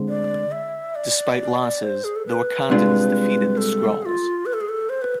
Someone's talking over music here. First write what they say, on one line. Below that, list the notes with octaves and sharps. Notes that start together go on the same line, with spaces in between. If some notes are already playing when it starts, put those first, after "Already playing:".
Despite losses, the Wakandans defeat the Skrulls.
Already playing: D2 D3 G#3 C4
D5
E5
D5
C5
G#4
A4
B4
C2 C3 G#3 D4 F4
A4
G#4
F4
B4
A4
G#4
A4
C5
B4